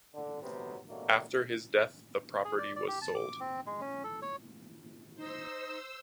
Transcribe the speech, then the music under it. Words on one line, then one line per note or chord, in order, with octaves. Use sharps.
After his death the property was sold.
D3
D2 C3 F#3 B3
B2 F#3 G3 A3 A#3
G#4
D5
D5
G4
A5
D6
C4
G#3
C#4
A4
C#5
D#4 C5 E6